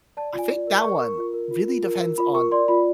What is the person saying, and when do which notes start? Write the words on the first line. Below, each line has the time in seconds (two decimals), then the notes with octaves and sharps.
I think that one really depends on
0.17 D5 A5
0.33 F4 G#5
0.50 D5
0.67 A#4
0.84 A#4 C#6
1.00 A#4
1.17 F4
1.34 A#4
1.51 F4
1.67 F4
1.84 A#4
2.01 A#4
2.18 F4 B5
2.35 A#4 C#6
2.51 D5 C6
2.68 F4 B5